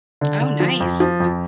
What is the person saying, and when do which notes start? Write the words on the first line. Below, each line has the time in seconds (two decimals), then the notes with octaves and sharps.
Oh, nice.
0.21 D3
0.41 D3
0.60 F3
0.80 F2
1.00 F3
1.20 F2